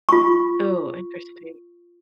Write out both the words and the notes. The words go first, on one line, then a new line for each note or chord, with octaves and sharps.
Oh, interesting.
F4 C#6